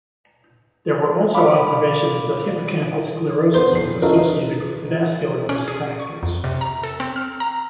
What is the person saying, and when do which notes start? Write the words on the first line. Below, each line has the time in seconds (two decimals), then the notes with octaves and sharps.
There were also observations that hippocampal sclerosis was associated with vascular risk factors.
1.34 F5 B5 D6
3.54 B3 C5 G7
3.72 F2 C7
4.02 C#4 E4 F4 A4 A#4 D#5
4.18 D#4 B4
5.49 C#4
5.68 G#4
6.00 C#6
6.23 F2
6.44 C3
6.61 A#5
6.83 A4
7.00 C4
7.16 F6
7.40 A#5